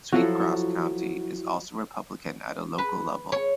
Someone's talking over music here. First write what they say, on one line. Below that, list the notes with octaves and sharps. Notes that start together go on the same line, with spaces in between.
Sweet Grass County is also Republican at a local level.
F3 F#3 E4 F#4 A4
B4
C#5